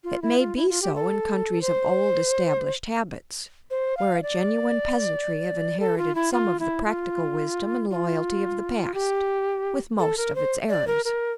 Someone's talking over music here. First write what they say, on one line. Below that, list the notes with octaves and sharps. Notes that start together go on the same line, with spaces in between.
It may be so in countries of old-established habits, where a genuine peasantry have inherited some of the practical wisdom and loyalty of the past, with most of its errors.
F4
E4
F4
E4
F4
G4
A4
C5
C5
F5
D5
A4
F4
E4
F4
E4
F4
F4
G4
A4
A#4
C5
D5
A#4
A#4